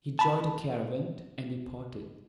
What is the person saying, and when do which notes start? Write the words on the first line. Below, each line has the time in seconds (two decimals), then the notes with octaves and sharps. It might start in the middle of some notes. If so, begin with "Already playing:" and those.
He joined a caravan, and departed.
0.19 A5 B5